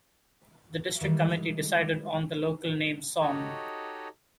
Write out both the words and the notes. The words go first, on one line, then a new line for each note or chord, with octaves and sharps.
The district committee decided on the local name Sogn.
D#3 E3 G3 G#3
D#4 F#4 G4 A4 C#5 D#5